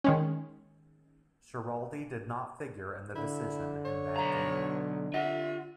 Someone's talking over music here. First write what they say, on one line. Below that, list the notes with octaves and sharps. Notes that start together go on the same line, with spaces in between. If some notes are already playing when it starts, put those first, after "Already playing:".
Schiraldi did not figure in the decision in that game.
D#3 G#3 C#4
D3 E4
C#5
B1 A#5
F4 E5 F#5